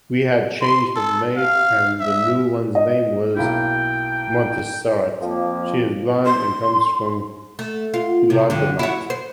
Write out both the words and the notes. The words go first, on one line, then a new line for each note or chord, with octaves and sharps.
We had changed of maid and the new one’s name was Montserrat. She is blond and comes from Vilademat.
C6
A4
F5
E5
D#5
B1 A#3 E4 G5
F2 F3 A#3
C6
A3
F4
C3
F2 D3
E4 F#4
C5